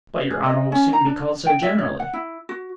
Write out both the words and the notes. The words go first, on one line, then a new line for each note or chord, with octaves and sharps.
"But your honor will soon be called so generally."
G#4
D#5
C#4
A#5
D4
G5
E5
C#5
F#5
E4
F#4